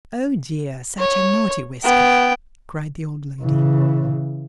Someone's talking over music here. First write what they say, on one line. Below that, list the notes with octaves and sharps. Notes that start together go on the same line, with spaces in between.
'Oh dear, such a naughty Whisker!' cried the old lady.
C#5
B3 G5
C#3 E3